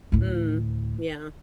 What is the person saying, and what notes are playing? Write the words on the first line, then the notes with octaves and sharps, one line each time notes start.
Mm. Yeah.
D2 A2